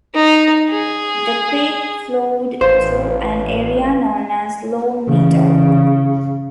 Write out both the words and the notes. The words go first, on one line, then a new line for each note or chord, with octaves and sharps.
The creek flowed through an area known as Long Meadow.
D#4
G#4
A1 B4 C5 F5
C#3 E3